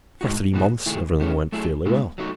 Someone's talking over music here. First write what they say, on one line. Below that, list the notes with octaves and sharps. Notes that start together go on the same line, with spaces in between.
For three months everything went fairly well.
A2 G#3 D#4 F#4
A2 E3 B3 D#4 F#4
D#3 A3 E4 G#4
D#3 A3 C#4
F#3 A3 E4 G#4
B2 G#3 B3 E4
F#3 A3 D#4 F#4